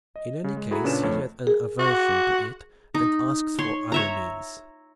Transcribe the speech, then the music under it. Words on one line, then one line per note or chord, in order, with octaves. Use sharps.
In any case he had an aversion to it and asked for other means.
D#5
C#3
G#3
E4 F#4 G#4 A4 A#5 B5
A#2 C#3 C#4 D4 B4 E7
F2 A3 C#5
G#4 A#4
F#4
D#4
C#5 C6
C#5 E5 A#5